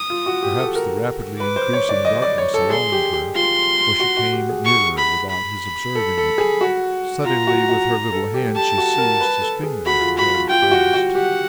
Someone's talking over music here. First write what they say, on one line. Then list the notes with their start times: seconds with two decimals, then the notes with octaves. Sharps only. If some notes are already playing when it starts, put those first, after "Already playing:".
Perhaps the rapidly increasing darkness alarmed her, for she came nearer, without his observing it; suddenly with her little hand she seized his finger and held it fast.
Already playing: D#6
0.10 F4
0.26 F#4
0.43 G4
0.59 A4
0.75 A#4
1.40 B4 D6
1.56 C5
1.73 C#5
1.89 D5
2.05 D#5
2.22 D5
2.38 C#5
2.54 A4
2.70 G#4 C6
2.92 G4
3.13 G4
3.35 F4 C6
4.00 F#4
4.17 F#4
4.33 G4
4.49 G#4
4.65 C#6
4.98 B5
5.30 B5
5.95 A4
6.18 A4
6.38 G#4
6.61 F#4
7.25 F4 A#5
7.47 F#4
7.69 F#4
8.12 A4
8.34 G4
8.55 G4 A5
8.78 F#4
8.98 A#4
9.20 B4
9.41 A4
9.63 G#4
9.86 F#4 B5
10.01 F4
10.18 F#4 B5
10.34 F4
10.50 F4 G5
10.62 G4
10.71 F#4
10.94 F#4
11.15 G4 F#5